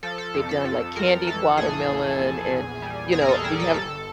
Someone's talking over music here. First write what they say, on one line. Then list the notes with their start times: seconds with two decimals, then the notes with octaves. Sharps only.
they've done, like, candied watermelon and, you know, we have
0.03 F3 A4
0.18 A4
0.34 F2
0.49 A4
0.64 F2 A4
0.96 F2 A#4
1.27 E3 A4
1.57 A#1 G#4
1.89 A#1
2.19 A#1
2.51 E2
2.82 G3
3.12 E2 G#4
3.21 A#4
3.29 A4
3.44 G3 G#4
3.60 A4
3.74 G1 A4